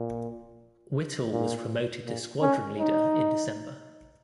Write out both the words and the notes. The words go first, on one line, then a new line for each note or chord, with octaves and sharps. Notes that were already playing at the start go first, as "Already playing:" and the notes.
Whittle was promoted to Squadron Leader in December.
Already playing: A#2
A#2
A#2
C#4
D#4